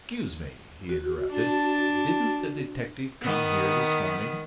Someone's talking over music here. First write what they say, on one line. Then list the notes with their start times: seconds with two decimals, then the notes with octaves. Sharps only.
"Excuse me," he interrupted, "didn't a detective come here this morning?"
0.89 F#4
1.31 D4 A5
3.22 D#3 B3